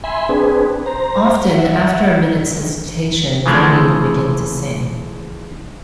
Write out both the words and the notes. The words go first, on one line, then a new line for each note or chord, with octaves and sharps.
Often, after a minute’s hesitation, Fanny would begin to sing.
E5 G#5 B5 C6
C4 D4 G#4 B4
C5 A#5
E5 F#5
C#3 E3 F3 G#3 A3 C4